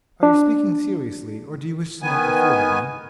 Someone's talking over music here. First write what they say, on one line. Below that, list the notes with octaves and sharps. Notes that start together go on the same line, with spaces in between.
Are you speaking seriously, or do you wish to make a fool of me?'
D4
D#3 B3 G#5